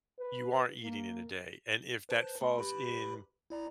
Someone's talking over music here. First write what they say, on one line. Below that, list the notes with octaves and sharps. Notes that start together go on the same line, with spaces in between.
you are eating in a day. And if that falls in
B4
A#3
B4 C5 A5
A3 C6
G4 B4 B5
E4 D5 A#5